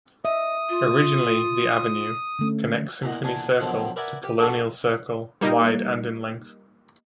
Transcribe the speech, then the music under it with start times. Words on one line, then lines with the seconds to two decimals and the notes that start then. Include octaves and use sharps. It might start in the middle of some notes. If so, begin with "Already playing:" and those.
Originally The Avenue; connects Symphony Circle to Colonial Circle; wide and in length.
0.25 D#5 E5 D#6
0.69 F4
2.39 D3 A3 C#4
3.02 E2 A#2 D#5 F#5
3.23 E2 A#2 D4 G#5 D#6
3.60 B2 D3 D#3 F3 F#3
3.96 A#4 B4 D5 E5 F#5 G#5
4.24 G4
4.38 D#3 D4 F#4 A4 C#6 D#6
5.41 G3 A#3 D#4